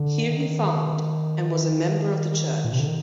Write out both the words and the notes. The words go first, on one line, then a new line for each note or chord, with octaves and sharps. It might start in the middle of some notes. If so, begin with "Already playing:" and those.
Here he farmed and was a member of the church.
Already playing: D3
D#3
A#2
C3
D3
D#3